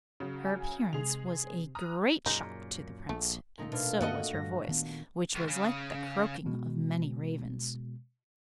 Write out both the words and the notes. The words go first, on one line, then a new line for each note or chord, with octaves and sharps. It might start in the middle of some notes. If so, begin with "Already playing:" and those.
Her appearance was a great shock to the Prince, and so was her voice, which was like the croaking of many ravens.
C#3 F#3
G#5
C3 G#3 G#4 F7
A#5 D#6 F6 F#6
F#2 A#2 G#3 D#4
A#1 A3
A#2 A3 D#4
B2 D4 F5
G2 A#3 C4 F#4 A4 D#5
G2 A#6
D#3 B3
C#2
C#3
B2 G#3